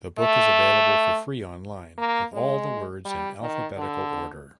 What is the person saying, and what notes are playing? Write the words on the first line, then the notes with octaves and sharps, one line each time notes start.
The book is available for free online, with all the words in alphabetical order.
A3
A#3
G#3
G3
D#3
D3